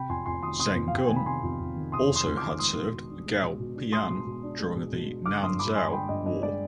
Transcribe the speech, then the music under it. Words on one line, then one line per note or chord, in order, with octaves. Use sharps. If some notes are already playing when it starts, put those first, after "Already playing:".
Zeng Gun also had served Gao Pian during the Nanzhao war.
Already playing: C3 G5 B5
F2 G#5 C6
F2 G#5 C6
D#3 C6 D#6
C3 C6 D#6
F2
F5
F2 G5
D#3 G#5
B5
C3 G#5 C6
F2
F2
D#3
C3 C6 D#6
F2
C6 D#6
F2
D6 F6
D#3
G#3 C6 D#6
B2
B2
D4
G#3
B2
B2
D4
G#3 C6 D#6
B2
B2
D4
G#3
B2
B2
D4
D3 D6 F6
G2 C6 D#6
D4 B5 D6
G#3 G#5 C6
D3 G5 B5
G2 D#5
D4 D#5
G#3 D5